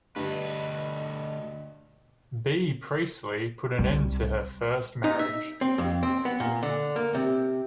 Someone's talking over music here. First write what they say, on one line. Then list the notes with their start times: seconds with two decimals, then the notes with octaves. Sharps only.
B. Priestley, put an end to her first marriage.
0.16 D2 G2 D4 B4 D#5
3.79 C2 G3
5.04 D#4
5.19 E5
5.61 C4
5.78 F2
6.03 C4
6.25 B3
6.40 A#2
6.63 D3
6.96 A#3
7.15 C3